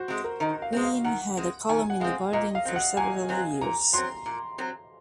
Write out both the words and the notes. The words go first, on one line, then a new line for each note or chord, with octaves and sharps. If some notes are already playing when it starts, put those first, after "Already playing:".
Wheen had a column in "The Guardian" for several years.
Already playing: F#4 C5
G#3 C4
A#4
D#3 D#5
F5
G#3 C4
F5
D#3 F#5
G#3 C4
D#3 G#5
F#5
G#3 C4 F5
A#2 D#5
F5
F#3 C4
F#5
A#2 G#5
F#3 C4
A#2 A#5
F#3 C4 C6
A#2
F#3 C4